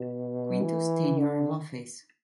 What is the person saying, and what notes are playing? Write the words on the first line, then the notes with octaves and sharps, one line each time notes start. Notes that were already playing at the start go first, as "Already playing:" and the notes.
Quintus's tenure of office.
Already playing: B2
E3
D3